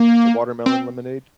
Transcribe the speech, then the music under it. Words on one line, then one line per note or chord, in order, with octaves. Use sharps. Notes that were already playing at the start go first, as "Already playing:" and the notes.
a watermelon lemonade.
Already playing: A#3
C4